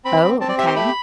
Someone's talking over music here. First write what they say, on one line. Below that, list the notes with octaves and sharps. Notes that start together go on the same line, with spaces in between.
Oh, okay.
C4 B5
C4
C4 A5
D5
G4 E5
C6
A3 B5